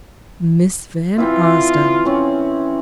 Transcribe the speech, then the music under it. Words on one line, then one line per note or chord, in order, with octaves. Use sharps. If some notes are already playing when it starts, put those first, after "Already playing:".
"Miss Van Arsdale!"
E3 C4 F4 E5
C4 C#4